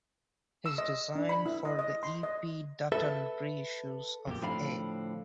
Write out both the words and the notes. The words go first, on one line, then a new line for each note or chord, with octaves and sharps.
His design for the E. P. Dutton re-issues of A.
E6
D#5
D4
B5
E4
D#5
D#5
C6
D#5
A4 B4 E5
F2 A#2 G4
A2 D3 F3 C4 F5 B5